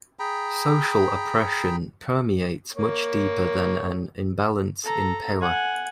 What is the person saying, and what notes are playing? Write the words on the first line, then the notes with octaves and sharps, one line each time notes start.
Social oppression permeates much deeper than an imbalance in power.
G#4 G5 A#5 B5
A#3 C#5
A4 A#5
F#5 G#5